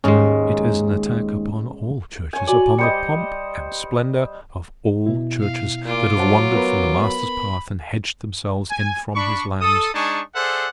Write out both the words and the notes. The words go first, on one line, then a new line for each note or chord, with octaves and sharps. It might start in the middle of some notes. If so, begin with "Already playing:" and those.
It is an attack upon all churches, upon the pomp and splendor of all churches that have wandered from the Master's path and hedged themselves in from his lambs.
D#2 G#2 G#3 C#4
C#5 G#5
F#4 D5 G#5 F#7
G3 C5 D#5 C#7
B2 E4
F5
A#2 F4 D6
F#3 C5 F#5 A5
B3 A#4 B4
B5
G#5
D4 B5 C#6
A4 D#6
G#3 D4 D#4 G#5 A5 C#6
G#4 A4 C5 D5 E5 F#5